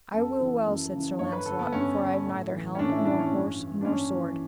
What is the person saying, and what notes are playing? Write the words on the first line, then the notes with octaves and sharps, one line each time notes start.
I will well, said Sir Launcelot, for I have neither helm, nor horse, nor sword.
F#2 A4
C#3 E3
F#2
C#3 E3
G2 C#5
B4
D3 A4
B3
G2 C#4
D3
A2
E3
C#4
A2 D4
E4
E3 D4
C#4
G2
E3
D4
G2 C#4
E3